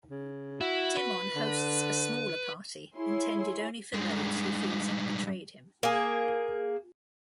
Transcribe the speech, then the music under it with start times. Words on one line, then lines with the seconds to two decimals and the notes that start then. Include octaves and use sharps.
Timon hosts a smaller party, intended only for those he feels have betrayed him.
0.11 C#3
0.61 E4 F#4
0.97 B4
1.36 D3
2.95 E4 G#4 C#5 C6
3.94 G2 G#3
5.83 A#3 G#4